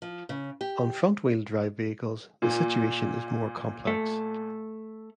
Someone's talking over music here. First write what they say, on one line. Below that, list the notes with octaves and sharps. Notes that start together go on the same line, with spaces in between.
On front wheel drive vehicles, the situation is more complex.
F3
C#3
G4
A#2
A3